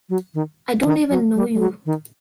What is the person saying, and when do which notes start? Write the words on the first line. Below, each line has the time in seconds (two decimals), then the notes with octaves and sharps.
I don't even know you.
0.09 F#3
0.34 D#3
0.85 D#3
1.10 F#3
1.35 G3
1.54 G3
1.60 F#3
1.86 D#3